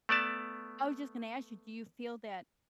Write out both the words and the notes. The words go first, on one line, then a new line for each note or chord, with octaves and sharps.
I was just gonna ask you, do you feel that
A3 B3 D5 A5